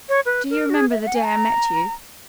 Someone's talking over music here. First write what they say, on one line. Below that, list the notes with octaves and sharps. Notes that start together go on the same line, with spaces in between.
Do you remember the day I met you?
C#5
B4
A#4
F#4
G#4
E5
E5
F#5
G#5
A#5